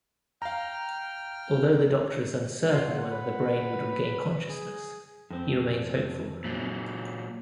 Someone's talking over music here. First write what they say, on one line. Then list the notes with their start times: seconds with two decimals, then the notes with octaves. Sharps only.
Although the doctor is uncertain whether the brain would regain consciousness, he remains hopeful.
0.42 F5 G5 A#5 F6
2.73 F4 F#5
3.12 B4
4.50 G#4
5.30 F2 C4
6.44 A#2 F#3